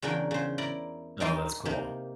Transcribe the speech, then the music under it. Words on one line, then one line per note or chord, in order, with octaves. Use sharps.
Oh, that's cool.
E2 C#3 D4 A#4 G5
C#3 C5
E4 A#4 D5
D#4 A#4 D#5 G5 A5 C6
C3 A#3 D#4